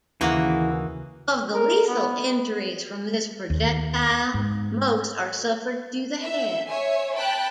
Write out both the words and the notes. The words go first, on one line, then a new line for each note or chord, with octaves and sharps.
Of the lethal injuries from this projectile, most are suffered to the head.
D#2 C#3 E3 A#3 F#4 G#4
A#4
B3
D#2
G#2
E5
C#5 E5 G#5
G5 A5 B5 F#6